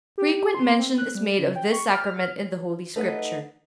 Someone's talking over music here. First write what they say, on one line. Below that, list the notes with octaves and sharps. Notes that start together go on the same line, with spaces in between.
Frequent mention is made of this Sacrament in the Holy Scripture.
G4
C6
C4
F#6
G3
C#3
G5
C#6
F6
A3 D#4 B4 D#5 F#5